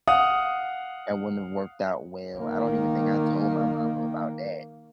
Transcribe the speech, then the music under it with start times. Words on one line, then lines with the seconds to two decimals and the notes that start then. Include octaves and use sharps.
that wouldn't have worked out well. I don't even think I told my mama about that,
0.08 F5 F#5 D#6
2.38 D#3 A#3